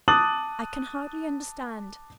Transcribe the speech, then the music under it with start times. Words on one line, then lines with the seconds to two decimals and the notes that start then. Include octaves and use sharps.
I can hardly understand.
0.08 A5 D6 D#6 F#6 A6 F#7